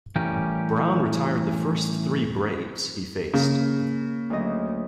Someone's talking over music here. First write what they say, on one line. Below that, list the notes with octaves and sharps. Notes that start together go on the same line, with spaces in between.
Brown retired the first three Braves he faced.
A2 E3 G3 C#4 G4 A#4
C#3 A#3
D2 F#3 D#5